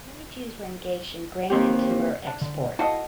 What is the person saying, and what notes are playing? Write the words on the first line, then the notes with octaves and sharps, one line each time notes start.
Many Jews were engaged in grain and timber export.
D#2 C4 G4
D4
D3
E4 F#4 A4 D#5 F5